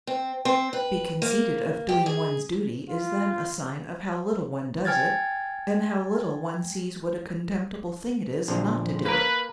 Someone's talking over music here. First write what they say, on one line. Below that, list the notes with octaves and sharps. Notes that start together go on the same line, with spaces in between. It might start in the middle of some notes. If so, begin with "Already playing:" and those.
To be conceited of doing one's duty is then a sign of how little one does it, and how little one sees what a contemptible thing it is not to do it.
C4
C4
B4
A#3
G4
G#4
F4
G5 G#5 F6 G#6 A6
A#1 D3 F3 C4
A#3 A#4 B4